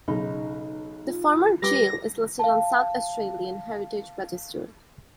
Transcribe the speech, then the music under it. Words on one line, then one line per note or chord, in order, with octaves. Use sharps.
The former jail is listed on South Australian Heritage Register.
B1 C#3 D#4
F4
G3 B4 D6 A#6
F5 A5